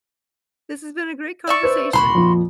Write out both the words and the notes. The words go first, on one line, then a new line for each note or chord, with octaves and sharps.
this has been a great conversation.
D5 E5 C#6
B4 C5
D#1 C2 F#4 B5 C6
F2 A#2 F3